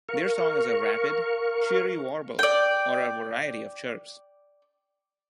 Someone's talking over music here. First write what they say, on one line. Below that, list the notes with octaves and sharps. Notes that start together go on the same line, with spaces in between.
Their song is a rapid, cheery warble or a variety of chirps.
A#4 F5 C#6
D5 G5